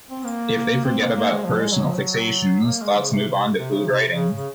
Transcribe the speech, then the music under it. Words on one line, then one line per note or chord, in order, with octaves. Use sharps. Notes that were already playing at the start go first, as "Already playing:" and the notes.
If they forget about personal fixations, thoughts move on to fluid writing.
C4
A#3
C4
A#3
A#3
G#3
F3
G#3
F#3
F3
F#3
A#3
G#3
C#3
C3
C3
C3
C#3
C3
C#3
C#3